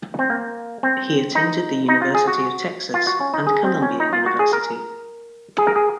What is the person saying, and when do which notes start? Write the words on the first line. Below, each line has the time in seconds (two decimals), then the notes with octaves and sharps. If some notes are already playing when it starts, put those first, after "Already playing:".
He attended the University of Texas and Columbia University.
0.19 C4
0.30 A#3
0.83 C4
1.35 D#4
1.88 D#4
2.02 F4
2.15 G#4
2.28 F#4
2.94 F4
3.07 F#4
3.20 C#4
3.34 D#4
3.47 G#4
3.64 C4
3.82 C#4
4.00 D#4
4.13 F4
4.26 F#4
4.39 G#4
4.53 A#4
5.58 G#4
5.67 A#4
5.76 G#4